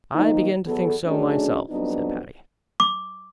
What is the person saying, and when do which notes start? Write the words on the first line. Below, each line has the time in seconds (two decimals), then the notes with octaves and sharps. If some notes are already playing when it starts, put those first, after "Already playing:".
"I begin to think so myself," said Patty.
0.15 D#3 F3 A#3 D#4
0.65 E2 F#3 B3 A4
1.07 F#2 D#3 A3 C#4 D4 G#4
1.70 F2 F#3 G3 B3 D4 D#4
2.80 D6